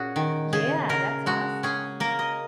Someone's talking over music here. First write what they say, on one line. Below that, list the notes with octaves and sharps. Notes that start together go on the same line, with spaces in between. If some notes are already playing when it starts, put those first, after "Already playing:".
Yeah, that's awesome.
Already playing: A#2 C#4 F#4 G#4
D#3
C#3 G#4
C#3 A#4
G#3 F#4
C#4 G#4
A#3 A#4
D#5